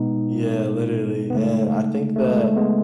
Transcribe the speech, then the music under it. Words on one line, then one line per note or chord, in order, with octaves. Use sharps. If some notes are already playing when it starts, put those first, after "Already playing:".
Yeah, literally, and I think that,
Already playing: B2 G#3 B3 D#4
B3
C#3 G#3 A3
A3
G#3
A3
G#3 B3